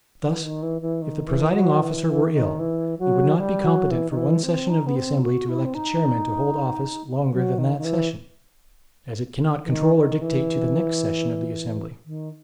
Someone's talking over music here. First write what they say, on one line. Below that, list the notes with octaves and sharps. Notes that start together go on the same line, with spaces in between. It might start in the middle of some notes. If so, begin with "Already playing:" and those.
Thus, if the presiding officer were ill, it would not be competent for one session of the assembly to elect a chairman to hold office longer than that session, as it cannot control or dictate to the next session of the assembly.
E3
D#3
E3
E3
D#3
E3
F#3
E3
E3
D#3
E3
F#3
G3
F#3
E3
D#3
E3
C4
D#4
B3
C4
F#4
E4
C4
D#4
F#3
D#3
D#3
E3
E3
D#3
D#3
E3
D#3